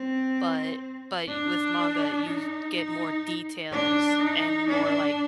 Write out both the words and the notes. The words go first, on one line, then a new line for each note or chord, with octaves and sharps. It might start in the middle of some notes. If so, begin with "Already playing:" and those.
But but y with manga, you get more details and more, like
Already playing: C4
D4
D#4
D#4
D4
D#4
D4